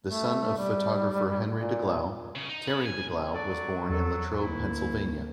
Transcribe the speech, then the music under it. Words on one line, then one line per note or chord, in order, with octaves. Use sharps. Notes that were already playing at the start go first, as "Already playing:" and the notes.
The son of photographer Henry Deglau, Terry Deglau was born in Latrobe, Pennsylvania.
A3
G3
A#2
C#3
D#4
B2 B5
G#5
F#3 A4 D5
E2 A4
D2 A#3 E4